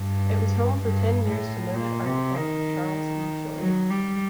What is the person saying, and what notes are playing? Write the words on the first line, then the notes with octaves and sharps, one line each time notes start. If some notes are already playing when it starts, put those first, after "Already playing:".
It was home for ten years to noted architect Charles E. Choate.
Already playing: G2
G2
A2
A#2
C3
D#3
F#3
G3